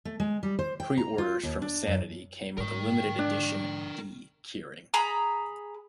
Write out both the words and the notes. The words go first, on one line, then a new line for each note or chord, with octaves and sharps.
Pre-orders from Sanity came with a limited edition 'D' keyring.
A3
G#3
G3
C5
G5
A#5
F4
D#2
D4
F#2
G#2 A#4 G5
D4
G#4 A#5 B5